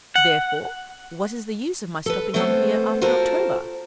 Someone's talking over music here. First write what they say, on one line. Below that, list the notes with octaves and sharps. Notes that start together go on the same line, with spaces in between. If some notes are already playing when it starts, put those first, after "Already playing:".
Therefore, what is the use of my stopping on here after October?
F#5
A4 B4
A3 B3 C4 A4 C5
F4 F#4 A4 A#4 C5